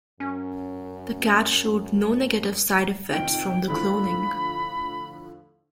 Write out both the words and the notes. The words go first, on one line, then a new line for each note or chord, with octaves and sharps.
The cat showed no negative side effects from the cloning.
F#2 C#4
F2 C3 D#3 G5
A2 D3 F3 B5